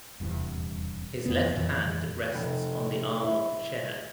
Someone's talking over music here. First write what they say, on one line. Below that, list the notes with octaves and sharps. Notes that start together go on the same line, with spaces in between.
His left hand rests on the arm of the chair.
D#1 E2 G2 C3
F2 B3
F2 A#2 E3
F1
E4